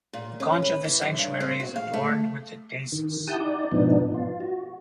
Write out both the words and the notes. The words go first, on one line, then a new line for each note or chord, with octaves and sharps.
The conch of the sanctuary is adorned with the Deesis.
A#2
C#4
B4
E3
F#2
G2
C4
F#4
F5
A3
D#3
E4 G4 F#5 A5 D#6 G6
D#4 D5
G#2 B2 F3 B3 D4 D#4
F4
F#4